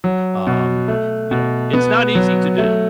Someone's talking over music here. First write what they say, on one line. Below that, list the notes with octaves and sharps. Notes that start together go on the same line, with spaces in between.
Um, you know, it's not easy to do.
F#3
B2
A3
B2
B3
F#3
A3